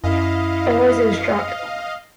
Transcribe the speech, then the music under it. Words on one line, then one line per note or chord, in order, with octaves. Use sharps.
Otherwise, it was dropped.
F#2 E4 D#5 F5